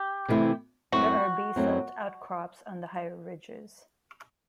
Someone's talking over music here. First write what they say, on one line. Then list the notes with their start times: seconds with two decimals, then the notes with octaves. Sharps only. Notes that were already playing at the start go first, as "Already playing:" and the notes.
There are basalt outcrops on the higher ridges.
Already playing: G4
0.28 C3 E3 A3 C4 E4
0.92 F#2 F#3 A3 C4 E4 F#4
1.56 F#2 F#3 A3 C4 E4